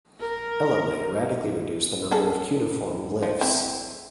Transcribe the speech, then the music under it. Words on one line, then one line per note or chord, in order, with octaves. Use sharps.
Elamite radically reduced the number of cuneiform glyphs.
A#4
C#4 G#4 A4
F3
C4 E4 E5